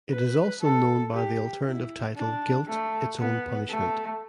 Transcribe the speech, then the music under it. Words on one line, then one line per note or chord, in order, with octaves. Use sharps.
It is also known by the alternative title Guilt Its Own Punishment.
B4
A4
G4
E4
D4
A3
B3
A3